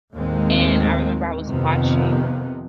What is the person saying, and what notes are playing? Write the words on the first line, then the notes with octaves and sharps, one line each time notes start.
and I remember I was watching
D#2 A2 D#3 G#3 C4
F2 C3 D#3 F3 B3